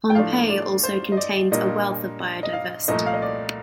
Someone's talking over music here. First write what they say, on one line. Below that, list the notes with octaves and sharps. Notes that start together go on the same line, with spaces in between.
Pohnpei also contains a wealth of biodiversity.
G5
A2 F3 A3 D4 F4 F5
D5
C5
D#5
D5
A#2 G3 A#3 D4 F4 D#5
D#5
F5
C2 A#2 F3 A3 D#5
F5
D#5
D5